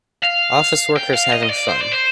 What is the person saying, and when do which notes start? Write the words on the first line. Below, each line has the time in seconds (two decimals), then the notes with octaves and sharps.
Office workers having fun.
0.23 F5
0.96 G5
1.14 F5
1.32 D#5
1.43 D#5
1.50 D5
1.68 C5
1.81 D5
1.92 C5